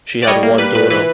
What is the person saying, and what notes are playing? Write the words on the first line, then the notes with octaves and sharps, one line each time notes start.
She had one daughter.
D5
G3 C#5 D#5
A#3
G3 B4
A#2 B4
E3 B4